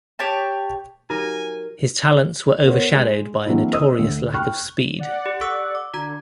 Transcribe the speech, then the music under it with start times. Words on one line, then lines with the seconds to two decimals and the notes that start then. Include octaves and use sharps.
His talents were overshadowed by a notorious lack of speed.
0.19 G4 C#5 G5 A5
1.10 F#3 D#4 G4 A#4 G#5
2.65 B3 A#4 C5 C#5
2.93 G#3
3.46 E3 F#3 A#3 C4 D4 E4
3.73 C5 D#5 D#6 E6
3.99 D2
4.34 G5 B5 C#6 F6 F#6
4.99 D5 F#5
5.26 G4
5.41 A4 C#6 E6
5.75 D6
5.94 D3 F#4 A#5 G#6